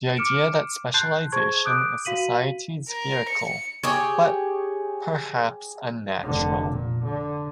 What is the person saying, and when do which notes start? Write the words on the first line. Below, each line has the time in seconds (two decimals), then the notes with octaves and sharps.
The idea that specialization is society's vehicle, but perhaps unnatural.
0.16 D6 F6 C#7 D7 E7
0.94 A5 C6 F#6 G6 A6 C7
1.32 G#4 C5 A5 C6 C#6 G#6
1.65 D6 D#6 F#6 G6 D7
2.05 F#4 F5 B6 D#7 F#7
2.89 A#4
3.29 C#7
3.83 G4 G#4 C#5
6.23 F1 D3
6.70 A#2
7.04 D3